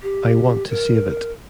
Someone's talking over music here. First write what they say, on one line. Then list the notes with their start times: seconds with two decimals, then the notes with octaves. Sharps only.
I want to save it.
0.03 G4
0.70 A#4